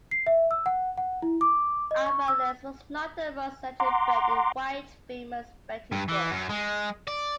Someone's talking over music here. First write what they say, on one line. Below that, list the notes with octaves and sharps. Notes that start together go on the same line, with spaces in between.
Alvanley's was not the most eccentric bet in White's famous betting book.
C7
E5
E6
F#5
F#5
E4
D6
D#5
C#6
E6
F#5 A#5 C6 D6
G2
E3
F#2
G#3
D5